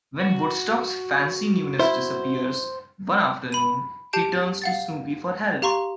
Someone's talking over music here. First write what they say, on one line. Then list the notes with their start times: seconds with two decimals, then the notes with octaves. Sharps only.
When Woodstock's fancy new nest disappears one afternoon, he turns to Snoopy for help.
0.20 F#4
1.79 E4 C5
3.52 B5 D#7
4.13 G4 A5 G6 C7 D7
4.62 F5 F#5 A6
5.62 G4 F5 A#5 C6 C#6